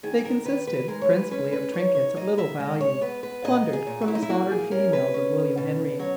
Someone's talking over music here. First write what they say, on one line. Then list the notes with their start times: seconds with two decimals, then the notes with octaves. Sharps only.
They consisted principally of trinkets of little value, plundered from the slaughtered females of William Henry.
0.03 D#3 G#4
0.25 A#4
0.45 D#3 B4
0.67 B4
0.88 G#3 A#4
1.01 C#5
1.10 B4
1.31 C#4 B4
1.52 B4
1.73 D#4 C#5
1.95 C#5
2.16 A#2 D#5
2.38 E5
2.59 G#3 D#5
2.81 C#5
3.01 B3 B4
3.23 B4
3.44 A#2 D#5
3.73 G#4
3.87 A#2
4.02 F#4
4.08 E4
4.15 D#4
4.22 E4
4.29 A#3 F#4
4.51 G#4
4.71 C#4 A#4
4.93 B4
5.14 C#4
5.57 B2
5.99 F#3 C#5